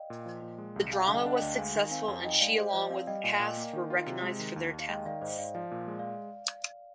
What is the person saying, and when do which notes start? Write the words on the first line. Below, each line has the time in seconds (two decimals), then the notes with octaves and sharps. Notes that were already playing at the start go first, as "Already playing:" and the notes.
The drama was successful and she along with cast were recognized for their talents.
Already playing: D5 D#5 F5 G5
0.10 A#2
0.26 F3
0.42 A#2
0.58 G#3
0.76 C2
0.92 G3 F5 G#5
1.07 D3 F5
1.14 D#5 G5
1.26 D4
1.36 D#5 G5
1.42 D2
1.58 G#3 F5 G#5
1.75 D#3
1.91 C4 F5 G#5
2.08 F2
2.24 D#4 D#5 G5
2.40 G#3 D5 F5
2.57 G4 C5 D#5
2.70 D5
2.74 F3 C5 D#5
2.90 C4 D5 F5
3.07 G3 D#5 G5
3.23 A#2 F5 G#5
3.39 A#2 D#5 G5
3.57 A#3
3.73 D#3
3.90 F4
4.07 C3
4.22 G#3
4.39 D#3
4.56 D#2
4.73 D#2
4.80 F5
4.88 G#3 D#5 G5
5.06 D#3 D5 F5
5.21 G#2 C5 D#5
5.38 G#2 D5 F5
5.55 F3 D5 F5
5.71 A#2
5.87 G#3
5.99 D5 F5